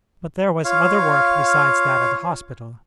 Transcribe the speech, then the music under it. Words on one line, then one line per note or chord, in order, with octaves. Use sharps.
But there was other work besides that at the hospital.
F4 C#5 F5